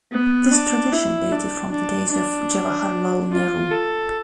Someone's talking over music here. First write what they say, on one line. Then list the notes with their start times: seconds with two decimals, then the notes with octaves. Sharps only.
This tradition dated from the days of Jawaharlal Nehru.
0.12 B3
0.51 D4
0.92 E4
1.31 D4
1.71 D4
2.11 D4
3.31 F4
3.71 A4